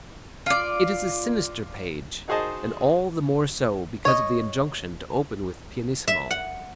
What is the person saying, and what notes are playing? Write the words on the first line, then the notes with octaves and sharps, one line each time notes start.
It is a sinister page, and all the more so because of the injunction to open with pianissimo.
F4 D5
D#4 F#4 G#4 C5 D#5 A5
C#5 D#5
E5
F#5